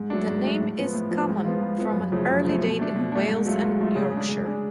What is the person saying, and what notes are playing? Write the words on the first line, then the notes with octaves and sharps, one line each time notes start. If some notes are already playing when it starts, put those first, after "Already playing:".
The name is common from an early date in Wales and Yorkshire.
Already playing: G#2
F#3 A3 D4
G#2
F#3 A3 D4
A2
F3 B3
A2
F3 B3
G#2
F3 B3 F4
G#2
F3 B3 F4
F#2
C#3 F3 A3
F#2
C#3 F3 A3
B2
A3 D4
B2
A3 D4
G#2
F#3 A3 F4
G#2
F#3 A3 F4
C#3
G#3 D4
C#3
G#3 D4